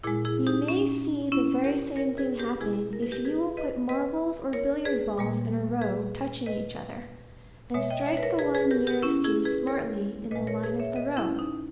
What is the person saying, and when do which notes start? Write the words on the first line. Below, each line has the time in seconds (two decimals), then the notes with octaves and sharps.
You may see the very same thing happen, if you will put marbles or billiard-balls in a row touching each other, and strike the one nearest you smartly in the line of the row.
0.04 A#2 G#3 E4 G#4
0.25 E4 G#4
0.47 D#4 G4
0.68 C#4
1.32 C#4 E4
1.64 G4 A#4
1.96 A#4 C#5
2.18 G#4 B4
2.39 G4 A#4
2.60 B2 G#3 E4 G#4
2.93 A#4
3.02 B4
3.12 G4 A#4
3.25 G#4 B4
3.57 B4 D#5
3.89 B4 D#5
4.53 A#4 C#5
4.85 G#4 B4
5.18 A#2 G3 A#3
5.82 G#4 B4
6.46 B4 D#5
7.74 B2 G#3 C#5 E5
7.90 D#5 G5
8.06 C#5 E5
8.17 B4
8.23 A#4 C#5
8.39 G#4 B4
8.55 G#4 B4
8.71 G4 A#4
8.87 G4 A#4
9.02 C#4 E4
9.24 E4 G#4
9.45 G#4 B4
9.67 A#4 C#5
10.31 A#2 G#3 B4 D#5
10.47 A#4 C#5
10.63 G#4 B4
10.80 C#5 E5
10.96 B4 D#5
11.17 C#4 E4
11.39 D#4